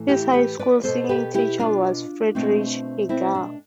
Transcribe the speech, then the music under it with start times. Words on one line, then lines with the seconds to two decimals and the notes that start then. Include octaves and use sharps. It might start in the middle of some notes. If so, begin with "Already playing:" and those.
His high school singing teacher was Friedrich Hegar.
Already playing: A2 E3 A3
0.08 E4 G4
0.33 G4 B4
0.59 B4 D5
0.83 B2 B3 A4 C5
1.09 G4 B4
1.34 E4 G4
1.59 D4 F4
2.35 B2 A3 C4
3.09 C4 E4
3.35 D4